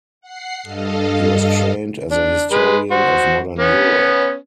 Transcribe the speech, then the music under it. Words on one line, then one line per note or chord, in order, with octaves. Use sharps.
He was trained as a historian of modern Europe.
F#5 C7
G2 A4 D#5 F5
D4
G#3 B4
F#4 C5
B3 C#4